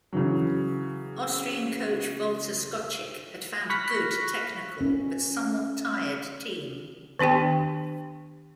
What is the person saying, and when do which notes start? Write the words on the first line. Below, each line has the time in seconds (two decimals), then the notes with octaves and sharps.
Austrian coach Walter Skocik had found a good, technical but somewhat tired team.
0.13 C#3 E3 F#3
3.70 B5 C#6 F6 F#6 A#6 B6
4.81 C#4
7.19 D#3 B3 D4 G4 G5